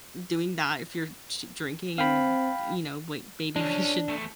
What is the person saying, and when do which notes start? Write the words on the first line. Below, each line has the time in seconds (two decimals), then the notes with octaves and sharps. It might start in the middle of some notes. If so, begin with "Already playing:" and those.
doing that, if you're sh drinking and, you know, wai maybe we should
1.98 C4 F5 G5 B5
3.56 G#3 C#4 D4
4.08 E2 A3